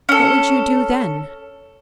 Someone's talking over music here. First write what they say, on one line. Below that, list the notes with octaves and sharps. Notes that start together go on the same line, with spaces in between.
"What would you do then?"
C#4 A4